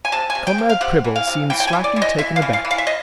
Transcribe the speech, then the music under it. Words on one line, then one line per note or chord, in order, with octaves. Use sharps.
Comrade Prebble seemed slightly taken aback.
G#5
C3 A5
G#5
C3
G5
C3
F5
C3 F#5
E3
F5
C3
E3 G5
G5
G#5
E3
D5
E3
D#5
E3 E5
F5
E3
F5
E3
F5
E5
D#5